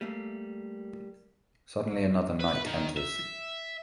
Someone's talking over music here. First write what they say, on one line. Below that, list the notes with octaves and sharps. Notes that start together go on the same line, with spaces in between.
Suddenly, another knight enters.
G3 A3 A#3
B4
D#3
E5